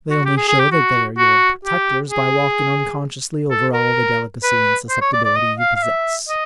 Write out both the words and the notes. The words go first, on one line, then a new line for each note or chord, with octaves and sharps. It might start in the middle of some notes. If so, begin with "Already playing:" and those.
They only show that they are your protectors by walking unconsciously over all the delicacy and susceptibility you possess.
F#4
G4
G#4
G#4
G4
F#4
F#4
G4
G#4
A4
A#4
B4
C5
C#5
D5
D5
D#5
F5
F5
E5
D#5